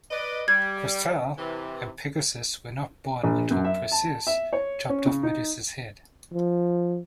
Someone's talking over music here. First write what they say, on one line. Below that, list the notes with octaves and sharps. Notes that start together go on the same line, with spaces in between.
Chrysaor and Pegasus were not born until Perseus chopped off Medusa's head.
B4 D5 D#5
G3 G#6
C3 E3
A#1
F#2
E5
A5
E5
C#5
C#4
C#3
D#4
F3